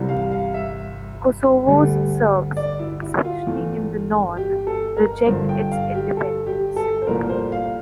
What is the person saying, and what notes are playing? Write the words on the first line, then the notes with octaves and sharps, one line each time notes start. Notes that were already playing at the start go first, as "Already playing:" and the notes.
Kosovo's Serbs, especially in the north, reject its independence.
Already playing: C2 C3 E3 G3
F5
F5
E5
D2 D3 G3
D5
E4
E4
F4
E2 E3 A3
G4
A4
A#4
G2 D3 F3 C5
G5
F5
G4
A4
G4
A4
C5
C2 A#2 F3 A3 A#4
C5
F5